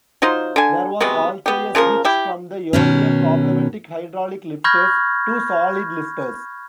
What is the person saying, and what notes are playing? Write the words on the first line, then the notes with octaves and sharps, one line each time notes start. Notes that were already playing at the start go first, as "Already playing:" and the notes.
There was also a switch from the earlier problematic hydraulic lifters to solid lifters.
F#3 D#4 F4 C5
D3 G#5
C3 F#3 G#3 B3
B3 G4
C#3 F3 A#3 A#4
E4 G4
B2 D#3 C#4
B5 C#6 F6 G6 G#6 A#6